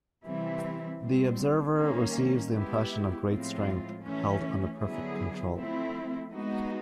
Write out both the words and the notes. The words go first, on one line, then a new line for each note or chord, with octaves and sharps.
The observer receives the impression of great strength held under perfect control.
C3 E3 G3 C4 E4
B2 G3 C4
D#3 G3 A#3 C#4
G#3 B3 E4 G4
A2 F3 G#3 C4 F4
E3 A3 C#4
D3 F#3 B3 E4 G#4
F3 A3 C4 E4
G#3 B3 D#4 F#4